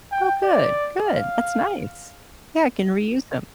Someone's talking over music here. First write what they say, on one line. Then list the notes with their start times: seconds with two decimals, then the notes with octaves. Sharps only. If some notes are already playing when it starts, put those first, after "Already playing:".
Oh, good good. That's nice. Yeah, I can reuse them.
0.12 G5
0.44 D5
1.07 F5